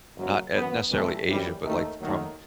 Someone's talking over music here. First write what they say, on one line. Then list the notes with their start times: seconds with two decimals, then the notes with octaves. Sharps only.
not e necessarily Asia, but, like, from
0.16 F#1 F#2 F#3
0.53 F#2 E3 B3
0.90 C2 C3 E3 A3
1.26 F#2 E3 G3
1.63 D#2 D#3 A3 D#4
2.00 D#2 D#3 F#3 A3 D#4